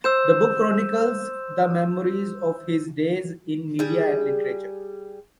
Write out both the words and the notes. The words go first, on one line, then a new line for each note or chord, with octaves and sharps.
The book chronicles the memories of his days in media and literature.
C5 E6 G6 E7
G3 G#4